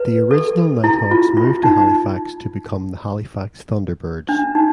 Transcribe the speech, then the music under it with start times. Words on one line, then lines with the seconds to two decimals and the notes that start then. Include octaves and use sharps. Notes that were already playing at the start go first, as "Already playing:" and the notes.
The original Knighthawks moved to Halifax to become the Halifax Thunderbirds.
Already playing: B4
0.31 A4
0.84 E4
1.11 F4
1.37 F4
1.63 D#4
4.29 D4
4.55 D#4